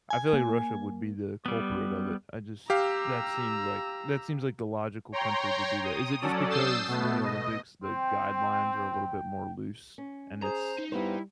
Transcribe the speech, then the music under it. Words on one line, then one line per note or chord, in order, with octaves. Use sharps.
I feel like Russia would be the culprit of it. I just that seems like that seems like the logical country to do that. Is it just because in the Olympics, the guidelines are a little bit more loose, and it's
G#5
A#3
G3 B3
G4 F5 A#5 E6
C#5 G5 A#5 C6
D#6
F#3 C#4 A4 D5
D#6 E6 G6 A6 C7 E7
B2 A3 B3
D#5
C4 G5
C#4
G#4 C5 A#5
D#4
G2 G3 B3 E4 C5